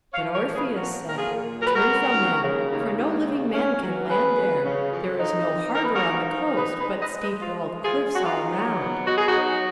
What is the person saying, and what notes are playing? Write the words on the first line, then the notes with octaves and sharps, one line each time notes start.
But Orpheus said: "Turn from them, for no living man can land there: there is no harbour on the coast, but steep-walled cliffs all round."
C#5 F5
F3
A#4 C#5
A#2
G#4 B4
F3 F#4 A#4
A#2 A#4
F4 G#4
A#2
F#3 A#4
B4
F#4 A#4
C#3
D#2
C#3
D#2
D#2
C#3
C#4
F#3
C#4 G#4 B4
F#3
C#3
F2
D#4
F2
D#4 A#4
B4
F#4 A#4
F3
D#4
F3 G#4 B4
G#4 B4
G#3
B4 D#5
G#3
B4 D#5
F3 F4
G#3
F4 G#4
G#3
F#4
D#4 F4
F#3
B3
D#4 F#4
G#4
D#4 F#4
F#3